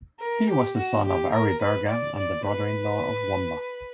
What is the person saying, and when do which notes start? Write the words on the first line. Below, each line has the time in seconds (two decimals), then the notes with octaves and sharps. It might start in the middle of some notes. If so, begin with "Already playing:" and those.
He was the son of Ariberga and the brother in law of Wamba.
0.20 A#4
0.49 G4
0.77 F#4
1.05 G4
1.33 A#4
1.62 B4
1.89 D5
2.18 D5
2.46 B4